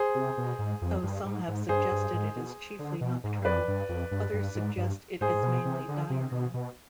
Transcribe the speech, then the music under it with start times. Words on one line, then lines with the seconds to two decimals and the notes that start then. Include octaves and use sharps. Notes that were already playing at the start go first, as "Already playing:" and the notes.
Though some have suggested it is chiefly nocturnal, others suggest it is mainly diurnal.
Already playing: G#4 C5
0.15 C3
0.38 B2
0.59 G#2
0.82 F2
1.03 G2
1.25 G#2
1.48 G#2
1.69 G2 G#4 C5
1.91 G2
2.13 G#2
2.36 B2
2.79 D3
3.01 B2
3.24 G#2
3.39 G2
3.45 F2 B4 D5
3.68 G2
3.89 F2
4.11 G2
4.33 G2
4.55 G#2
4.77 G2
5.21 G#2 G#4 C5
5.34 G#2
5.43 B2
5.65 C3
5.88 D3
6.10 C3
6.31 B2
6.54 B2